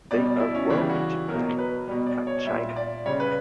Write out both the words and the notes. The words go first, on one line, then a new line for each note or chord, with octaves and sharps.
They are grown in Japan and China.
B2 G3 D5
D5
E4
C#4
C#3 E3 G3 D4
G4
F#4
B2 F#3 A#4
B4
B2 G3
D5
C#5
A#2 G3 E5
D5
C#3 G3 C#5
B4